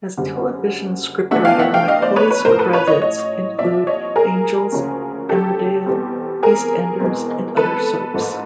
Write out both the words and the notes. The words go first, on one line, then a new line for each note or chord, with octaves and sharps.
As television scriptwriter McCoy's credits include "Angels", "Emmerdale", "EastEnders" and other soaps.
F#1 F#2 D3 G3
E2 B2 F#3 A3 D4 E5 F#5
F5 G5
E5 F#5
F5 G5
D#5 F5
C5 D5
B4 C#5
B4 C#5
A1 A2 F3 A#4 C5
A4 B4
B4 C#5
C#5 D#5
C#5 D#5
C2 A#2 F3 D5 E5
C#5 D#5
G#4 A#4
D2 C#3 F3 A#3 C#4
G4 A4
E2 B2 G3 C4
G#4 A#4
E2 B2 G#3 C4
A4 B4
A1 G#2 F3 A#3